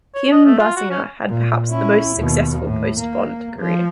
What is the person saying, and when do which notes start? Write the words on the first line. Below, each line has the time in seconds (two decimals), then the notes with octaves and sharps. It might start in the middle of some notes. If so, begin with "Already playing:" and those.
Kim Basinger had perhaps the most successful post-Bond career.
0.15 C#5
0.32 D#5
0.45 A3
0.59 F4
0.76 F#4
0.90 C#4
1.29 A#2
1.70 C#4 E4
2.16 D#2 B2
2.63 A2
2.99 A#3
3.59 F3